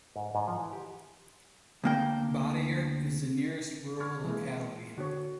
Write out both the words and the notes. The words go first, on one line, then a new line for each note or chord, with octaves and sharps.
Batayurt is the nearest rural locality.
G#2
G#2
F3
E3
G4
D2 A#3 G5
C#6 F6 G#6
E3 G#3 A#3
D3 F#4 C#5